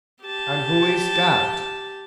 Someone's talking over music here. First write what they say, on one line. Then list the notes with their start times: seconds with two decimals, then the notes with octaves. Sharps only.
And who is that?
0.22 G4 A5